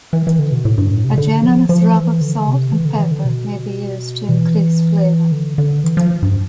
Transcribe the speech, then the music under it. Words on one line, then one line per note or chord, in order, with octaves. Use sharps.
A generous rub of salt and pepper may be used to increase flavor.
E3
E3
D3
B2
A2
G2
A2
C3
D3
F3
F3
E3
D3
C3
E3
D3
E3
D3
B2
E3
D3
D3
E3
F3
G2